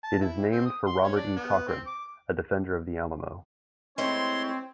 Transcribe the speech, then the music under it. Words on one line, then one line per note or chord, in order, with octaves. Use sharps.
It is named for Robert E. Cochran, a defender of the Alamo.
A5
E4
C4
D#6
C6
C#4
D4
B3
C4
D6
G#3 A3 C4 E4 C#5 C6